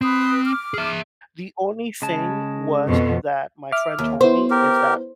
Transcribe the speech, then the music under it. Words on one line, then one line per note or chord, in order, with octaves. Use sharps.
the only thing was that my friend told me is that
C4 B4 D#6
D6 F6
G#4 E5
C#3 G#3 A5
F2 B2
E5 D6 F6
D#2
B3 E4 C5
G4 A#4